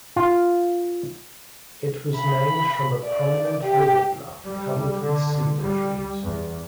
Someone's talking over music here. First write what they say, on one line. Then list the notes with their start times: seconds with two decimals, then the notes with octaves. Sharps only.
It was named from a prominent river bluff covered with cedar trees.
0.16 F4
2.17 B5
3.05 D5
3.64 G4
4.45 G3
5.00 D3
5.59 G3
6.24 E2